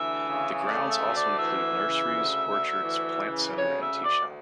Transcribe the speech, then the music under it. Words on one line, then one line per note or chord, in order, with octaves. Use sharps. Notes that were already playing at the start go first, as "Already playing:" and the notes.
The grounds also include nurseries, orchards, plant centre and teashop.
Already playing: D2 E3 E5
C#3
A3 D5
E5
D2
D5
E3 E5
C#3
D2
D2
E3
C#3
D2 C#5
E5
D2
D5